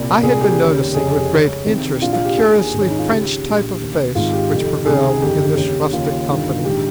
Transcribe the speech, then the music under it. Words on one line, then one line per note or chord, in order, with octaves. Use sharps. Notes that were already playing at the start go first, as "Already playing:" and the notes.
I had been noticing with great interest the curiously French type of face which prevailed in this rustic company.
Already playing: C2 A#2
C2 A#2 G#4
G4
D#2 C#3
F1 F2 C#3 G#4
G4
C#2 C#3
C2 C3 D#3
A#1 A#2 F4
F4
G4
D#2 D#3 G#4
G#4
G#1 G#2 D#3
C#4
D#4
F4
C#2 C#3 G4
A#1 A#2
D#2 C#3
G#1 G#2 D#3 F4
G4
F1 F2 D#3
C#2 C3 D#3 G#4
G1 F2 D#3 G4
D#2 C#3
D#2 C#3 F4
G1 G2 D#3
A#1 G#2 D#3 G4